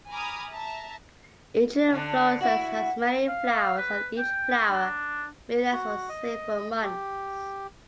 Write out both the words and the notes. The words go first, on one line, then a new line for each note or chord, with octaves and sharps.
Each inflorescence has many flowers and each flower may last for several months.
G#5 A#5 B5 D6 D#6 F6
E5 A5 A#5
D3 D4
E4 F#4 F#5
F5
B4
G5
D4
F#4
D#5
G4